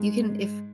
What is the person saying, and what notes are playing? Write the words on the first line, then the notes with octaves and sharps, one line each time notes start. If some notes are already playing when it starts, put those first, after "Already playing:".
you can if
Already playing: G#2 G#3